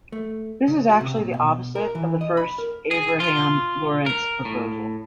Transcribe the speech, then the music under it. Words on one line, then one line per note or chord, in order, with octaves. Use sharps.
This is actually the opposite of the first Abraham-Lorentz proposal.
A3
C#3
F#4
C3
A#2
B2
A#4
E3
D#5
B5
A#4
G#4
F4
A#4
A2